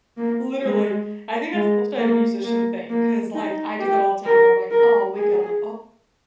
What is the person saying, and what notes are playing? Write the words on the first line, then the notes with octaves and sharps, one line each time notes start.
Literally. I think that's such a musician thing 'cause like I do that all the time where I'm, like, "Oh" I'll wake up like,
A#3
G#3
G#3
A#3
A#3
A#3
D#4
G4
A#4
A#4
G#4